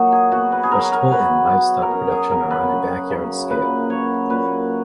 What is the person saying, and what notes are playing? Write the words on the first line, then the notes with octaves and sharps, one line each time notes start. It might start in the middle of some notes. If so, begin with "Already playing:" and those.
Vegetable and livestock production are on a backyard scale.
Already playing: A#2 F#3 D#4 F#4 A#4
G#4
B2 F#4
B4
G#4
F#3 A#4
A#4
B2 B4
F#3
A#4
F#2 G#4
G#4
C#3 F#3 A#4
B4
F#2
C#3 F#3
A#2 B4
F#3 C#5
A#2 B4